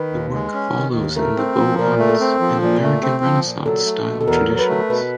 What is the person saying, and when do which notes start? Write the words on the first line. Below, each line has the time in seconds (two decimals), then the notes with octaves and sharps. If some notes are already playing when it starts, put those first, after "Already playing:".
The work follows in the Beaux Arts and American Renaissance style traditions.
Already playing: D#3 B4
0.13 D#2
0.34 G#3
0.54 C#4
0.75 D#3
0.95 D#2
1.16 A3 A#4
1.37 C4
1.58 F3
1.79 A#2 A#4
1.99 A3
2.09 A4
2.20 C4
2.40 F3
2.62 A#2
2.83 A3
3.03 C4
3.24 F3
3.45 A#2
3.66 F#3 A4
3.86 A3
4.07 B2
4.21 A4
4.28 E2 A#4
4.49 F#3
4.59 B4
4.69 A3
4.90 B2 B4